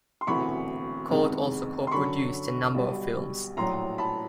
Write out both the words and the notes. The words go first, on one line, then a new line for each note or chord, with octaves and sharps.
Cort also co-produced a number of films.
C6
E1 D2 C3 E3 B5 C#6
F#1 E2 C3 D#3 G#3
C6
F#2 D3 F#3 B5 C#6
B1 B2 G3
A#1 A2 F#3 A#5 C6
A5 B5